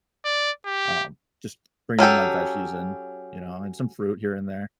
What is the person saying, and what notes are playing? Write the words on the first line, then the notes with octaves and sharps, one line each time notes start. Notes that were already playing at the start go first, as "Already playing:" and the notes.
um, just bringing, like, veggies in, you know? And some fruit here and there.
D5
G4
F#3 C#4 G4 A4